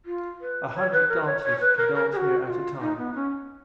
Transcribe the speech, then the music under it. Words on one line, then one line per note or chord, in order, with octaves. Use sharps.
A hundred dancers can dance here at a time.
F4
B4
C#5
B4
A#4
C#5
C#5
B4
A#4
A#4
G#4
F#4
F#4
F4
D#4
B3
C#4